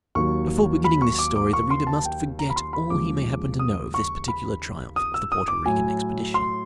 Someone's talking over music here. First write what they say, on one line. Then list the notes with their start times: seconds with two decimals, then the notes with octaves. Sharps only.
Before beginning this story the reader must forget all he may happen to know of this particular triumph of the Porto Rican Expedition.
0.15 D#2 D#3 F#3 C#6
0.84 B5
1.02 C#6
1.19 D6
1.36 D6
1.53 C#6
1.70 C6
1.87 A5
2.05 G5
2.39 A#5
2.50 B5
2.56 C6
2.73 B5
2.90 D#2 C#3 F3 G#3 D6
3.59 D#6
3.94 C#6
4.28 B5
4.96 D#6
5.14 E6
5.32 D#6
5.48 D6
5.66 A2 F#3 G#5
6.34 C6